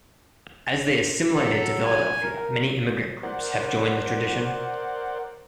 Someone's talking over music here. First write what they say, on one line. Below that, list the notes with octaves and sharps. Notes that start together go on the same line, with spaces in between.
As they assimilated to Philadelphia, many immigrant groups have joined the tradition.
F#3 A4
G#5
A#4
A#4 C5 D5 F#5